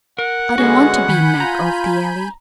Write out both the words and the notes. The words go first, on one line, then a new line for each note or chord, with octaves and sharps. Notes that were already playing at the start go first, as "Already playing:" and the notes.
I don't want to be Mag of the Alley.
A#4 F#5
D3 G#3 B3 C#4 F#4 G#4
D#3 G#5 B5 G6
F4 A#5